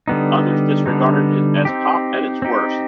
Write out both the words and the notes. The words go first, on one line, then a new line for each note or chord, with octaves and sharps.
Others disregarded it as "pop at its worst".
D3 G3 B3 D#4
D3 G3 B3 D#4
C4 D#4 G4
C4 D#4 G4